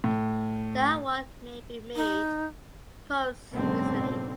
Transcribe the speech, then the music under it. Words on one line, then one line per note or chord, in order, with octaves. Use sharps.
The award may be made posthumously.
A2
D#4
F#1 B1 G#2 D3 C4